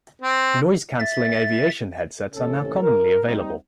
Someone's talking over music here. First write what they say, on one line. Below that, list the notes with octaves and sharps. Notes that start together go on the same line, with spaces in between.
Noise-cancelling aviation headsets are now commonly available.
C4
E5 A6
A1 D#2 C3 C#4 A4
A#4
G3 C4 D#4